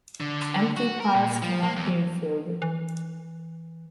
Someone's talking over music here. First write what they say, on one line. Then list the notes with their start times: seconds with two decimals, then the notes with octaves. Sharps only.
Empty piles cannot be refilled.
0.20 D3
0.77 F#4
1.00 A#4
1.14 A#2
1.42 F3
1.63 A#3
1.76 E2
2.62 E3